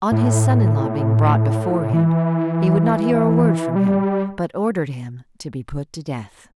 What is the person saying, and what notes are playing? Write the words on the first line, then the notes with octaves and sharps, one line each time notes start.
On his son-in-law being brought before him, he would not hear a word from him, but ordered him to be put to death.
A2
E3
G3